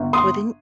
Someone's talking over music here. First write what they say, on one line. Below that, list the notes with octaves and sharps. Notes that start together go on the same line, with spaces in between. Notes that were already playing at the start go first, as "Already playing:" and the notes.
Well, then,
Already playing: G1
C6 D#6